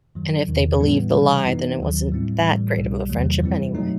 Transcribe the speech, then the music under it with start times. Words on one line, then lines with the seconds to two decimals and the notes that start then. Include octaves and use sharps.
And if they believed the lie, then it wasn't that great of a th friendship anyway.
0.15 F#2 D#3 F#3
0.48 E2 C3 D#3
0.80 A2 E3 G3 B3 E4
1.13 C3 E3 G3
1.46 F#2 E3 B3 D#4
1.79 D#2 D#3 F#3
2.12 A2 G3 C4 E4
2.45 A2 E3 G3
2.77 C2 B2 G3
3.09 E2 C3 D#3 F#3 A3
3.42 F#2 E3 G3 C4 E4
3.75 B2 F#3 A3 D#4